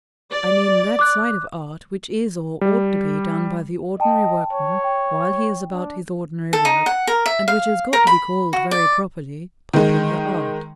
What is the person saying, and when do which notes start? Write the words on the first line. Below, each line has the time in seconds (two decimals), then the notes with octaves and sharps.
I mean that side of art which is, or ought to be, done by the ordinary workman while he is about his ordinary work, and which has got to be called, very properly, Popular Art.
0.31 D5
0.99 D6 F#6
2.61 G3
4.00 D#5 G5 A5
4.53 C#5
4.84 G5
5.72 D4
6.53 A4
6.65 D#4
6.86 F#5
7.07 A#4
7.26 E5
7.48 F5
7.93 A#4
8.07 B5
8.53 F#4
8.71 D5
9.74 D#3 G#3